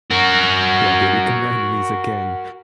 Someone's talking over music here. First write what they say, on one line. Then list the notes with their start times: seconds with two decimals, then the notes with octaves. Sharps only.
Yeah, they become enemies again.
0.10 F#4 A#4